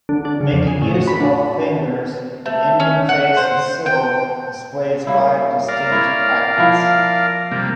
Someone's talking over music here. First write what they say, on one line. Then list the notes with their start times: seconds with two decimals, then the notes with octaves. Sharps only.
Making use of all fingers, the ending face of Sybil displays five distinct packets.
0.09 D3
0.25 D4
0.41 C#3
0.53 F2
0.67 G#4
0.82 A2
0.94 F#4
1.07 B5
1.20 D4
2.46 A3
2.80 C#4
3.09 F#5
3.37 C5
3.86 G5
5.07 G3 A#3 E4
5.68 A#4 D5 F5
5.90 C4 E4 C#5
6.58 F3 E4
7.51 C3 G3 A#3